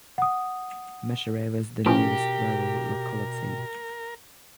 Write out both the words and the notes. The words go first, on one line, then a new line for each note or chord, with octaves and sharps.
Meshcherevo is the nearest rural locality.
F#5 D#6
B2 E3 F3 C#4 G4 A#4